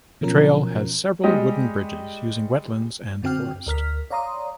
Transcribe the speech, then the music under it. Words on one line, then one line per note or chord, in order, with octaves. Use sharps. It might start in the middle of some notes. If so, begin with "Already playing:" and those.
The trail has several wooden bridges using wetlands and forest.
B2 F3 F#3 C#4 A#4
G3 G#3 G4 D#5
F#2 D3 C4 F#4 G5 F6
D2 A#4 F6 B6
C#5 D5 F5 A#5 C6 D#6